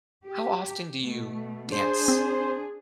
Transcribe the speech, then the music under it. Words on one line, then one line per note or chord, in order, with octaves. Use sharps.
How often do you dance
G4
B2 A3
D4 G#4 C5
C4